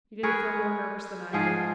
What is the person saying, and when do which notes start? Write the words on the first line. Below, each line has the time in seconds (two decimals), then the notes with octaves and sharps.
You didn't feel more nervous than I did.
0.23 G#4 A#4 B4 C#5
1.33 G#2 F3 G#4 F5